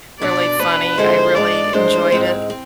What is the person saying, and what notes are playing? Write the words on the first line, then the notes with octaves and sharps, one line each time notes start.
really funny, I really enjoyed it.
B2 B3 D4 D5
B2 B3 D4 B4
D3 F3 G#3 C4 E4 C5
G#2 G#3 D4 D5
A2 G#3 D4 C5
G#2 G#3 C4
C4